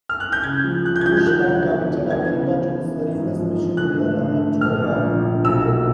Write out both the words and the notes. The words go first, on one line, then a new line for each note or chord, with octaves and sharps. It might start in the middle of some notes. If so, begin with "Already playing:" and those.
Bush had committed America to this selfless mission in the run-up to the war.
F6
F#6
G6
C#3 G#6
F3
F3 F#6
G6
G#6
F3 G6
G6
D#3 F#6
D2
E1
E1
E3 G#6
C#3
E3
E3
A1
G#2
F3
G#2
D3 F#6
A3
D3
A3
A#1 F6
A#1
F3
A#1
B1 E6
A#2